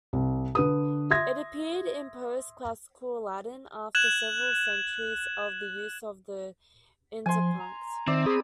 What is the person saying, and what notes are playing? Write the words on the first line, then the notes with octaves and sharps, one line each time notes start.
It appeared in Post-classical Latin after several centuries of the use of the interpunct.
C2
D3 B4 D#6
E5 C6 D#6 G#6 A#6
F#6 G#6 E7 F#7
F3 G#5 C6
A#5
D#3 C4 D5 E5
G#4 B5 D#6